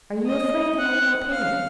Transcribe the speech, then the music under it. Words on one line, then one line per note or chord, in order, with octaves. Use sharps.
Are you afraid that I will not pay you?
D#5
F#5
F5